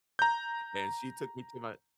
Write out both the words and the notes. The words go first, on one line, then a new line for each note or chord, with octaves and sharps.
and she took me to my
A#5 G6